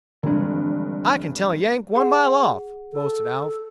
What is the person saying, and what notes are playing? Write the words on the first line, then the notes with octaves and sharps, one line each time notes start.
"I can tell a Yank one mile off," boasted Alf.
F1 G2 D3 E3 G#3
G#4 F#5
A4